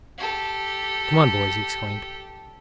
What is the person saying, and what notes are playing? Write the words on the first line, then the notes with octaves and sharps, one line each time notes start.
"Come on, boys!" he exclaimed.
G4 A4